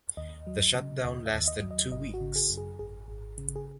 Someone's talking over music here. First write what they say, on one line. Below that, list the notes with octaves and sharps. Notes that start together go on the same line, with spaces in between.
The shutdown lasted two weeks.
D#2 D#5
F#3
C#3
D#2 D#5
E5
D#2
D#5
F#3
D#5
G#1 D#5
F#4
C#3
G#4
F#2
G#4
G#1 G#4
G#1
C#3
G#4